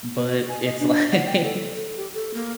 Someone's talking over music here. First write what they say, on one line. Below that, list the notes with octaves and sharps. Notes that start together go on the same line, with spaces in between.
But it's like,
F#4
G#5
D#5
D4
F#5
G5
A4
A4
G4
A4
A#3